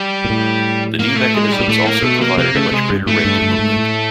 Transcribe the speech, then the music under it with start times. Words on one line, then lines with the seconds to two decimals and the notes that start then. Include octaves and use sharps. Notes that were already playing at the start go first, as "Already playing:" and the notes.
The new mechanisms also provided a much greater range of movement.
Already playing: G3
0.25 A#2
0.30 A2
0.99 A#3
1.16 A3
1.34 G#3
1.51 G3
1.60 A#2
1.68 A2 A3
1.85 A#3
2.02 B2 A3
2.21 A#3
2.38 C3 A#3
2.55 C#3 A3
2.72 C3 G#3
2.90 G2
3.06 G#2 A3
3.25 G2
3.42 G2
3.59 G#2
3.76 A2